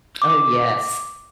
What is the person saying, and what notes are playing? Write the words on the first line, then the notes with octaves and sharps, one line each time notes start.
Oh, yes.
D6